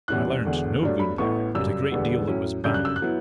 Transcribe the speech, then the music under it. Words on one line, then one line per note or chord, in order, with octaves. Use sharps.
I learnt no good there, but a great deal that was bad.
E2 B2 G3 C#4 E4 F#6
E1 E2 D3
G2 F#3 A3 D4
B5
A1 A2 E3 B3 E4 C#6
F#2 C#3 G3 E6
E1 E2 D3 G3 B3
A2 F#3 C#4 E4
F#2 C#3 G3 D4 G6
F#6
E6
F#6
F#3 B3 E4